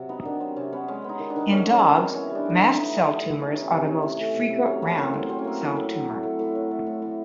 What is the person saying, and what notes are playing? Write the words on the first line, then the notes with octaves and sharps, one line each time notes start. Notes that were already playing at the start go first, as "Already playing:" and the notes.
In dogs, mast cell tumors are the most frequent round cell tumor.
Already playing: C3 F#3
B3 D#4
D#3 D4
F#3 C4
C3 C#4
B3 C#4
G#3 C#4
B3
D#4
D#3
D4
D#3
G#3 C#4
B3
C#4
D#3
C4
D#3
E3 C#4
G3
D4
A2 D4
D#4
A2
D4
E3 D#4
G3
A2
A2
E3 D#4
A3 C#4
C3 C4
C3 C#4
E3 C#4
A3
C3
C3
F#3 C#4
A#3 C4
A2 C#4
A2 C4
F#3 C4
C#4
A#3 C4
A2
A2
F#3
A3
A2
A2
F#3
A3
A2
A2